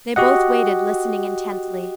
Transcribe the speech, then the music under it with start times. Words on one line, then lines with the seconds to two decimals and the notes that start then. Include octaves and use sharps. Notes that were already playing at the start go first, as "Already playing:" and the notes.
They both waited, listening intently.
0.16 F#4 G4 D#5 F#5